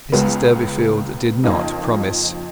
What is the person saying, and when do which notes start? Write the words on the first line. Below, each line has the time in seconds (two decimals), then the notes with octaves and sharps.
Mrs Durbeyfield did not promise.
0.12 C#2 C#3 G#3 B3
1.44 F2 F3 A#3 D#4